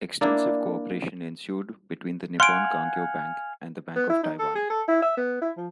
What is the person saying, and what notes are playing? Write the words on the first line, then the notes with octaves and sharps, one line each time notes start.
Extensive cooperation ensued between the Nippon Kangyo Bank and the Bank of Taiwan.
A#3 D4 E4
F5 F#5 G#5 C6 D7
B3
E4
D#4
A4
G#4
A4
E4
E5
B3
E4
F3